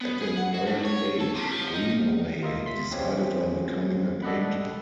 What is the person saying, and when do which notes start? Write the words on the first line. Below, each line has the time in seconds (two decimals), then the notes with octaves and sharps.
At an early age Greenaway decided on becoming a painter.
0.01 B3
0.22 G#4
0.37 F#5
0.54 F#4
0.67 G2
0.85 C#5
1.21 A4
1.35 C3
1.53 F3
1.74 D#4
2.43 F4 A#4 D#5 E5
2.65 C#2 C6 B6
2.91 C4 C#4 F4 G4 G#4 C#5
4.22 A4 D5 D#5 F#5 B5